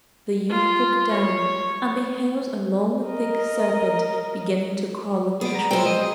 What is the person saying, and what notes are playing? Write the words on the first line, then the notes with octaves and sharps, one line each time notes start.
The youth looked down and beheld a long thick serpent beginning to crawl up the tree.
F4
C#5
A#4 D#5
B2 B3 G#4 D5
A#5
G#3 C4 F4 C5 C#5 G5
D#5
G#4